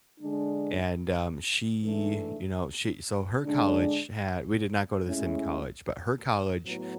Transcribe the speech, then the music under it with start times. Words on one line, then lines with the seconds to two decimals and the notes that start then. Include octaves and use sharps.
and, um, she, you know, she so her college had we did not go to the same college, but her college
0.20 D3 G#3 D4
1.82 G#2 E3 A3 D4
3.42 D3 G#3 D4
5.04 A2 G#3 C#4 E4
6.64 A2 F#3 B3 E4